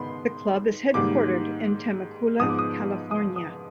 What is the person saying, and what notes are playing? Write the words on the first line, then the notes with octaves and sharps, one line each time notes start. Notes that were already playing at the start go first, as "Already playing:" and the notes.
The club is headquartered in Temecula, California.
Already playing: G#2 D#3 G#3 B3 B5 C6
G#2 D#3 G3 A#3 D6
G#2 F3 G#3 B3 D#6
D6
D#6
D#6
D#6